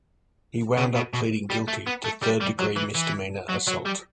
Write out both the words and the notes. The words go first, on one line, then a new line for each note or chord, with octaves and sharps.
He wound up pleading guilty to third-degree misdemeanor assault.
C#3
B2
B2
G3
A3
B3
A3
G3
G3
F#3
E3
E3
F#3
F#3
G3